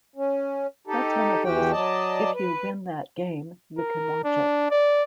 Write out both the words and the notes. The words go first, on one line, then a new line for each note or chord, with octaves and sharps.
That's one of those if you win that game, you can watch it.
C#4
D#4 G4 A4
E2 E3 F#4 G4 G5
F#3 D5 D#5 A5
B4
A#4
D4
D5